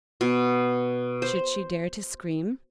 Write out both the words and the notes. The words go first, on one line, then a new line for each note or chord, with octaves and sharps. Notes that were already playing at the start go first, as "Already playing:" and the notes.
Should she dare to scream?
B2
C5